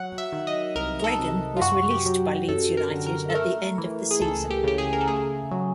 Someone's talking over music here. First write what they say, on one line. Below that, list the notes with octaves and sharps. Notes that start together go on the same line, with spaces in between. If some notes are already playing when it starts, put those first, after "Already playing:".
Gregan was released by Leeds United at the end of the season.
Already playing: F#3 F#5
E5
D#3
D#5
C2 A#4
A#4
A4
C3
F4
F#2 F#4
G4
F#3
F#2 A4
A#4
D3
A#4
A4
A3 A#4
E3
G#4
C#2 A4
G4
C#3 G4
G#4
A#4
A4
A3 G#4
F#3